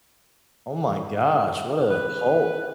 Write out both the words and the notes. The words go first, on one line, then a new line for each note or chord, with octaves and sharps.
Oh my gosh, what a hulk.
B4